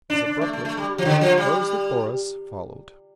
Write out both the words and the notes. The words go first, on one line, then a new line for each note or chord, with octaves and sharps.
As abruptly, those that bore us followed.
D4
D4
A3
A3
A3
G3
F3
D3
F3
G3